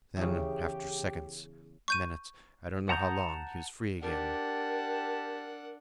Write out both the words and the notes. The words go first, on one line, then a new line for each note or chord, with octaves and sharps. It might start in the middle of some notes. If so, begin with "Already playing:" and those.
Then, after seconds--minutes--I don't know how long--he was free again.
E2 C#3 G4
C#6 G6 D#7
F#5 A5 A#5 D#6 G6
D4 G4 A#4 F#5 A5